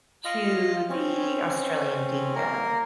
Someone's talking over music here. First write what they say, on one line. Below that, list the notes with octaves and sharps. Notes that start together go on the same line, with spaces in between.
to the Australian Dingo.
F4 D#5 F5
C4 C#4
A#3 A#4